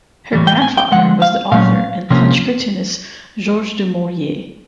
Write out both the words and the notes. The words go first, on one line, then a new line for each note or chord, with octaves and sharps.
Her grandfather was the author and Punch cartoonist George du Maurier.
A2 E3 G3
G5
G#5
G5
D3 F3 G#3 F#5
F5
A#2 F#3 A3 C#4 F5
C3 F3 A#3 C#4